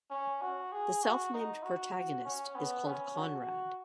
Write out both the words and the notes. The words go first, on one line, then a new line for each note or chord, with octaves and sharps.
The self-named protagonist is called Konrad.
C#4
F#4
G#4
F#4
D#4
F#4
C#4
B3
C#4
F#4